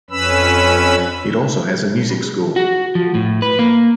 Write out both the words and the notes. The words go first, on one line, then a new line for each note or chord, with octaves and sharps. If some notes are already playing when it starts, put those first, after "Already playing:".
It also has a music school.
F2 C#4 B4 B5 E6
F#4
F3
A2
B4
A#3